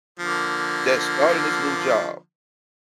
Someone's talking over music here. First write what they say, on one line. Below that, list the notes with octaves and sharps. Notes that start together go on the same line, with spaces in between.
that's starting this new job
D3 F3 A#3